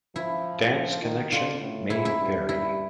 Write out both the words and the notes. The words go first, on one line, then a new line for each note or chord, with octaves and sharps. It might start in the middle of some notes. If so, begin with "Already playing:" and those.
Dance connection may vary.
F3 E4
F3
D#3
D3 F4
A2
G#2 E4
E4
G2
E4